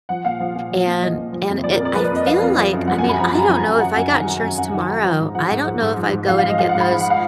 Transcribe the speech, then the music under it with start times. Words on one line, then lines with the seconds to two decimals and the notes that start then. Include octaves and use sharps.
and and it I feel like I mean, I don't know if I got insurance tomorrow, I don't know if I'd go in and get those
0.09 F3 F#5
0.25 A#2 F5
0.40 F3
0.56 A#2
0.72 F3
0.87 A#2
1.02 F3 D#5
1.18 A#2
1.33 F3
1.49 F2
1.64 F3 D5
1.75 A#4
1.80 F2
1.85 D5
1.95 F3 B4
2.05 D5
2.11 F2
2.16 D#5
2.27 F3 F5
2.41 F2
2.57 F3
2.73 F#2
2.87 F3 F#5
2.99 G#5
3.04 F#2
3.09 B5
3.19 F3 A#5
3.29 B5
3.35 F#2 A#5
3.49 F3 G#5
3.66 F#2
3.81 F#2 F#5
3.96 F#2 G#5
4.12 D#3 A#5
4.28 F#3 A#5
4.43 F#2 G#5
4.58 F#2 F#5
4.74 D#3
4.89 F#3 A#5
5.04 F3
5.20 G#2
5.35 F3 F#5
5.50 G#2
5.66 F3
5.82 G#2
5.97 F3
6.13 G#2
6.28 F3 F5
6.38 F5
6.44 G#2
6.49 D#5
6.59 F3 F5
6.69 F#5
6.75 G#2
6.80 B5
6.91 F3
7.00 F#5
7.10 F5